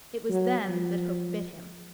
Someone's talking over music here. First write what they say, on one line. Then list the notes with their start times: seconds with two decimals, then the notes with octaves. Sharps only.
It was then that Hook bit him.
0.29 F#3
0.69 F3